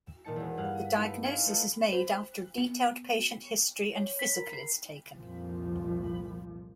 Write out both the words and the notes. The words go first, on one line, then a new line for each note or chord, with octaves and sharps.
The diagnosis is made after a detailed patient history and physical is taken.
A#2 D#3 D#4 A5 C#7
E1 E2
G2 G#4 F5 F#5
B3 D#4 E4 A4 B4
D#5 F5 G#5 C6 G#6 B6
A3 B3 D#4 F4 A4
C5
B3
C#5
B6
A#4
C7
C2 F2 A#2 F3